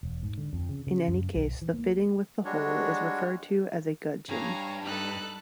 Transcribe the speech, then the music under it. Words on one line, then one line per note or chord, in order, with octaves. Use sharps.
In any case, the fitting with the hole is referred to as a gudgeon.
E1
G#2
D3
F2
C#3
C#3
F#2
B1
E3
A#3
G3 G#3 D4 F#4 C#5
G2 C#5 F5 G#5 A#5
G3 D#4 A4 B5 F#6